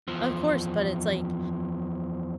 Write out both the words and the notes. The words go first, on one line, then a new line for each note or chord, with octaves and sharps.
Of course, but it's like,
E2 F3